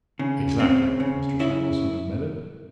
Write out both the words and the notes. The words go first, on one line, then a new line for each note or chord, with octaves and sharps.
"Exactly!" Mr. Samuelson admitted.
C#3
C#3 C4
C#3
C#3 E4